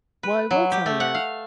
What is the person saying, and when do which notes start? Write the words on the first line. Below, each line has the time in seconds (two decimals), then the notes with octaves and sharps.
Well, I will tell you,
0.23 B4
0.51 F#3
0.72 G4
0.86 A3
1.00 F#5
1.15 F5